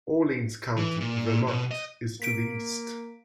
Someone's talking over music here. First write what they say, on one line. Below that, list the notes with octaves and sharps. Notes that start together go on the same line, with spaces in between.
Orleans County, Vermont, is to the east.
E3
A#2
B2
D#5
A#3 B6 D7